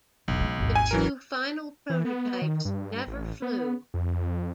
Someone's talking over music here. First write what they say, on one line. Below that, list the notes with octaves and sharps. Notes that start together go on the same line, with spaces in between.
The two final prototypes never flew.
E1 B1
G#3
G#1 D#2
G#5
E3 F#3 A#4
E3
B3
D#3
G2
A1
B3
F2